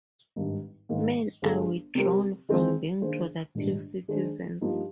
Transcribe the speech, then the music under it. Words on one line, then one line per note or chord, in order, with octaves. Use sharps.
Men are withdrawn from being productive citizens.
G#1 G2 D#3 G3
G#2 D#3 A#3
G1 G2 D3 G#3
C3 G3 C4 G4 A#4
D#3 G#3 C4 F4 C5
D#3 A#3 D4 G#4 C5
A#1 G#2 D#3 G3 D4
D#3 G#3 D4 G#4 C5
G2 F3 A#3 D#4 G4